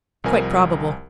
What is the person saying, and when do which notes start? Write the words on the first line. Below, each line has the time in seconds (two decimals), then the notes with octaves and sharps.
"Quite probable."
0.24 C2 F3 C4 A#4 G#5